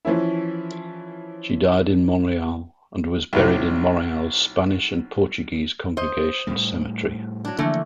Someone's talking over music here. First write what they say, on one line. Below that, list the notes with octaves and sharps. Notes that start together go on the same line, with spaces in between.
She died in Montreal and was buried in Montreal's Spanish and Portuguese Congregation Cemetery.
E3 F3 C#4 E4
B1 A2 C3
C5 D#5
A2 G3 A3
F#3 D4
D3 E3 F3 A3 A#3